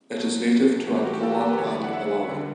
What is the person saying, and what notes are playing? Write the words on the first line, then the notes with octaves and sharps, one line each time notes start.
It is native to Angola and Malawi.
B2 F#3
A2 E3 G3 F#4
G4
F#4
G4
A4
F#4
G4
B4
E2 D3 F#3 C#5
D5
F#5
E5
D3 G3